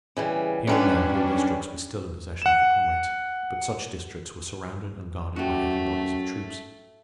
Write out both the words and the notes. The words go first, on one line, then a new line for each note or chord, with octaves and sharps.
Here and there whole districts were still in possession of the comrades, but such districts were surrounded and guarded by heavy bodies of troops.
C#3 E3 G3
F#2 G3 C#4 D4 B4
F#5 E7
F#2 A3 F#4 G4